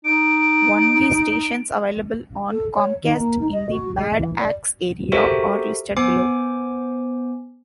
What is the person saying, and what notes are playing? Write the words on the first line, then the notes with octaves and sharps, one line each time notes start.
Only stations available on Comcast in the Bad Axe area are listed below.
D#4 D7
A4
C#5
D#3
A#3
D#4
D#5
F#4
G#3
E3
D5
F#4 G4 A4 A#4 C5 E5
B3 C5 G#5 D6